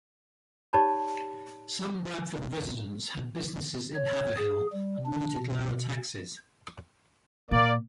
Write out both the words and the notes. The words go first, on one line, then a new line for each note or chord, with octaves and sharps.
Some Bradford residents had businesses in Haverhill and wanted lower taxes.
D#4 G4 C#5 D5 A5 B5
C#5
G#4
G3
D4
B2
A#2 A#3 D5